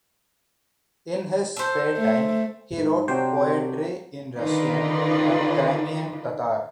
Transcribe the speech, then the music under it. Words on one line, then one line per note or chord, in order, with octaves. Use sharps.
In his spare time he wrote poetry in Russian and Crimean Tatar.
A4 C5
A3
G#2
C3 F#3 D4 C5 G5
D3 D#3 D#4 F4 B4 D5